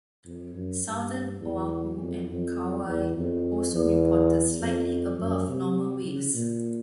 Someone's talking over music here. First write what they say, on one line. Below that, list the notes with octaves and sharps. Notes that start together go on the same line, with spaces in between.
Southern Oahu and Kauai also reported slightly above normal waves.
F2
F#2
G2
E2
F2
F2
E2
F2
E2
F2
F#2
C3
C#3
A#2